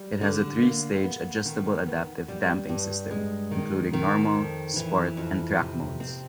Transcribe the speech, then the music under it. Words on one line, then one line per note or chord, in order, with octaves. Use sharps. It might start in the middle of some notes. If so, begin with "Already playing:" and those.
It has a three-stage adjustable adaptive damping system including normal, sport and track modes.
Already playing: G3
D3
A#3
B3
D#3
B3
G3
G2
G#3
D#3
D#3
F2
E3
F2
C3
C4